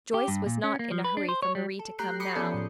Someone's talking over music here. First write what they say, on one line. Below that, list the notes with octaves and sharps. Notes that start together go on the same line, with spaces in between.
Joyce was not in a hurry for Marie to come now.
G4
G2
A#2
C#4
A#3
F3
B4
D4
C5
C#5
G3
A4
A3 G4 A#5 F#6 G6 C7
B5 D6 D#6 G6 C7 C#7
F3 B3 C#4 G#4 A4 D5
A2 F3